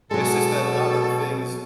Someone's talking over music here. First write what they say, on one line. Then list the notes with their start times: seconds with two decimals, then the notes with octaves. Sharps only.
It's just that a lotta the things
0.11 B2 F#3 G#3 A4